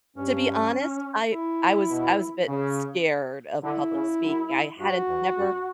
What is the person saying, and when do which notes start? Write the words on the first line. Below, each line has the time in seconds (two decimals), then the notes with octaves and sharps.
to be honest, I I was I was a bit scared of public speaking, I hadn't never
0.16 G2 C#4
1.31 E4
1.90 B2
2.48 C#3
3.63 D3 E4
3.91 C#3
4.21 F#2
4.78 G2 F#4
5.07 E2
5.36 F#2